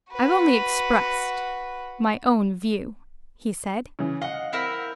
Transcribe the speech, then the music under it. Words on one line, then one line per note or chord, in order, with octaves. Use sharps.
"I've only expressed my own view," he said.
F#4 B4
C#3 E3
D#5 F5 F#5
C4 E4 A#4